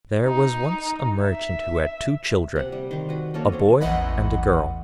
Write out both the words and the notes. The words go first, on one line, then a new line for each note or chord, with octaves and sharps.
There was once a Merchant who had two children, a boy and a girl.
D#4
E5
C3 F#5
G3
D#3 C5
F#4 B4
A#3 C#4 A4 A#4
D3 C4 C#5
A1 E2 E3 D#5 F#5 B5